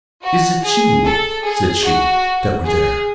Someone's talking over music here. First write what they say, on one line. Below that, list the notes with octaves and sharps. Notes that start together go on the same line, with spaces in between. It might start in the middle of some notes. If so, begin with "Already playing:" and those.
"Is it you," said she, "that were there?"
F#4
G#4
A4
G#4
F#4
G#4